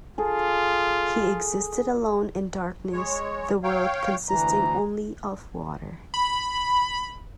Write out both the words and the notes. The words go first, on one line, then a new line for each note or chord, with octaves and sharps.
He existed alone in darkness, the world consisting only of water.
F4 G#4 A4
G#3 C#5
C#5 F5 G5
D2 E3 A#5
B5